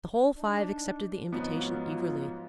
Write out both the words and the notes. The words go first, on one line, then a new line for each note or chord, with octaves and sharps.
The whole five accepted the invitation eagerly.
D4 D#4
G#2 F3 F#3 B3 F4